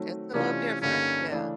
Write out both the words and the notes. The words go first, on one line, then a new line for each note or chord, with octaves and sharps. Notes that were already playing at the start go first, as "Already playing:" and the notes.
It's a little different, yeah.
Already playing: D#3 F#3 A3 C4
C3 E3 A3 C#4 D4 F4
G2 D3 G3 A#3 C#4 D#4
C#3 E3 A3 D4